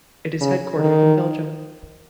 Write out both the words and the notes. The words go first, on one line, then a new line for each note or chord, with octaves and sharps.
It is headquartered in Belgium.
C#3
D#3